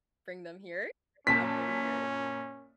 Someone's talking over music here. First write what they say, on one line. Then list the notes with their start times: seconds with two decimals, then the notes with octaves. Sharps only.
bring them here have them here.
1.27 F#2 A#2 C#4 A5 B6